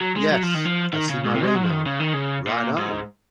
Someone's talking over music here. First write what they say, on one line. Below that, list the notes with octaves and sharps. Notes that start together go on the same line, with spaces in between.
Yes, I see my way now, right on.
F#3
G#3
F#3
F3
D#3
F3
D#3
C#3
G#2
C3
G#3
F#3
F3
D#3
C#3
D#3
C#3
A#2
G#2